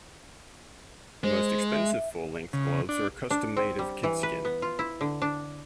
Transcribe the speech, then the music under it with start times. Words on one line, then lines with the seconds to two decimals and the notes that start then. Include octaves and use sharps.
The most expensive full-length gloves are custom-made of kidskin.
1.24 G#3 C5
1.71 E5
2.53 C#3
2.89 D4
3.31 D4
3.57 C4
3.79 G3
4.03 E3
4.23 B4
4.45 B3
4.62 F4
4.79 E4
5.01 D3
5.22 D4